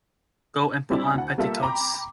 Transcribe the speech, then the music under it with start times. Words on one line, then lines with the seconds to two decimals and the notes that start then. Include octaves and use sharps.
Go and put on petticoats.
0.90 G3 C4 D4 E4
1.14 D2 F#5
1.38 G3 A#3 F4 A4 E5
1.62 G5 A#5 B5 D6